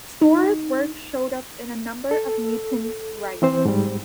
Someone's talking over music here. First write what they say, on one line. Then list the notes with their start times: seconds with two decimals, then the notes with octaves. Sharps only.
Storer's work shows up in a number of Newton's writings.
0.22 D#4
2.11 A4
3.42 E3 C4 C5
3.65 G#2 G3